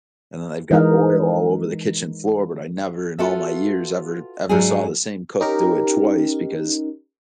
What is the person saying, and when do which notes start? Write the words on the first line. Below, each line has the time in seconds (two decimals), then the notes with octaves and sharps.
and then they've got oil all over the kitchen floor, but I never in all my years ever ever saw the same cook do it twice because
0.71 E3 G#3 D#4 A#4
3.19 F4 F#4 A4 B4 E5
4.49 G#2 F#3 G#3 A3 D4 G#4
5.40 C#4 D#4 G4 A#4